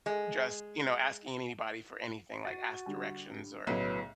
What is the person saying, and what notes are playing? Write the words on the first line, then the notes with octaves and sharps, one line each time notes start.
just, you know, asking anybody for anything, like ask directions or,
G#3
F#4 A6 D#7
D3 G3
B1 A2 C#3 F#3 A3 B4